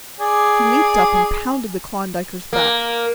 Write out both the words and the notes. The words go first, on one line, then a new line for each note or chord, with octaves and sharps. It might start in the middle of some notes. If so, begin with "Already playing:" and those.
He leaped up and pounded the Klondiker's back.
G#4 D5
A#3